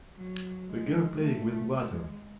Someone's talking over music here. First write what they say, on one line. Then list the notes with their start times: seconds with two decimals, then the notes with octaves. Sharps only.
A girl playing with water.
0.15 F#3
0.67 G#3
1.19 A3
1.71 G#3